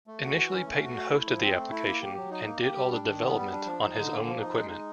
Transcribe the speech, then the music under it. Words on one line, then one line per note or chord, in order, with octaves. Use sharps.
Initially Peyton hosted the application and did all the development on his own equipment.
A3
F#4
E3
C#4
A3
F#4
A3
E4
F3
C4
A3
E4
A#3
G4
F#3
D#4
A#3
G4
G3
D4
D#3
B3
G3
D4
F3
D#4
D3
A#3
F3
D#4
G#3
D#4